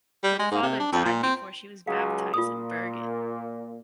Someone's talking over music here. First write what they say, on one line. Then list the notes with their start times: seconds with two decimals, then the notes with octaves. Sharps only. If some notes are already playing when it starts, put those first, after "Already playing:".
Her father died before she was baptized in Bergen.
0.23 G3
0.39 G#3
0.51 G#2
0.62 C3
0.80 D4
0.92 F2
1.05 A#2
1.23 C4
1.87 C#2 F#3 G#4 F5
2.34 A#2 F4 D#6